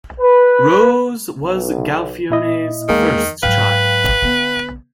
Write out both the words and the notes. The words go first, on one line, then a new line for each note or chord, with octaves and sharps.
Rose was Galfione's first child.
B4
B1
A#2 E4 D#5
E2 D#3 G#3 A#3 G#4
G#2 F#3 B4 F5 G5
D3 B3